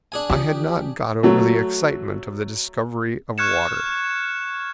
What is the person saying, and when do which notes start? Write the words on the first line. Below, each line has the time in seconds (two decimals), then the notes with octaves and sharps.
I had not got over the excitement of the discovery of water.
0.12 D4 G#4 G#5
0.29 E3 F4 G4 D#6
1.23 F#3 A3
3.38 C#6 F6 F#6 G#6 C#7 E7